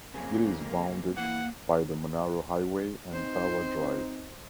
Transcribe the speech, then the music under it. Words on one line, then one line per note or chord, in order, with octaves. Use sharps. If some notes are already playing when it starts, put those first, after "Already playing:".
It is bounded by the Monaro Highway and Tharwa drive.
F2 C#3 A#3 C4 G#4
E3 A#3 F#5
C4 D#4 C5